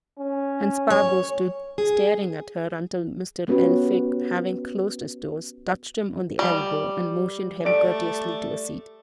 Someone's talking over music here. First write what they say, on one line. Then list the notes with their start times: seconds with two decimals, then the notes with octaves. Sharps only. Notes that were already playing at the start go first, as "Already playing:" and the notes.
And Spargo stood staring at her until Mr. Elphick, having closed his doors, touched him on the elbow, and motioned him courteously to a seat.
0.19 C#4
0.90 C#5
1.78 G#4
3.48 B3 C#4 F#4 G4 B4
6.39 G3
7.65 A3 D5 D7